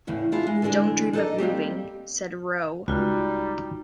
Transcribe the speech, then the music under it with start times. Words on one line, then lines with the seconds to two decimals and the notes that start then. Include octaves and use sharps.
"Don't dream of moving," said Rowe.
0.07 E2 A2 C#3
0.32 D4 E4 F4 G#4
0.47 G#3
0.62 D3 E3 G#3 D4 G#4
1.13 D4 D#4 A4 C5 D5 D#5
1.38 G3 A#3 C4 G4
2.88 C#2 G3 D#4 F4 F#4